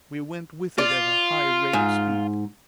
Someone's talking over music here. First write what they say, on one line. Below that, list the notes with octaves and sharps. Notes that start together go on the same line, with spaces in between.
We went with it at a high rate of speed.
F4 D5
G#2